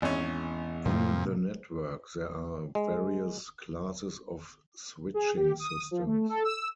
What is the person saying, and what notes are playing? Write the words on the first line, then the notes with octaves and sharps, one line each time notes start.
In the network there are various classes of switching systems.
G#1 E2 C#4
F2 A2 C3 A#3
G#3
G#4
G4
D#6
F3
A3
A4
E6